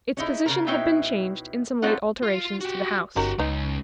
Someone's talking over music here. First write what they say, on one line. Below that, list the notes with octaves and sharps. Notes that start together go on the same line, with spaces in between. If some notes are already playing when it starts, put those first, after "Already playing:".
Its position had been changed in some late alterations to the house.
C#4 D#4 E4 G#4
C#3 F3 A#4
B2 C#4 D#4 E4 E5 G5
C4 C#4 D#4 F4 A4 F#5
F4
F#4 G4
G1 C#4 D#4 F#4 G4 A#4
C#2 C#3 G#3 B3 D#4